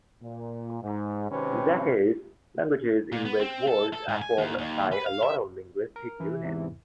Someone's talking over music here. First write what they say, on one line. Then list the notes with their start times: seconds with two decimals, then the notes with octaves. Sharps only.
That is, languages in which words are formed by a lot of linguistic units.
0.22 A#2
0.83 G#2
1.31 G#1 C3 D#3 C4 C#4 B4
3.12 A#2
3.25 B3
3.41 C4
3.68 A4
3.93 A4
4.08 G#2
4.22 G#5
4.38 D#2
4.58 D#2
4.92 B4
5.07 F5
5.23 E5
5.96 A#4
6.20 E3
6.44 E2 G#2 C3